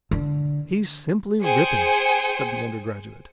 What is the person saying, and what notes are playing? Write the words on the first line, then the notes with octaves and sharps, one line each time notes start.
"He's simply ripping!" said the undergraduate.
D3
G#4 C5 G5 G#5 C#7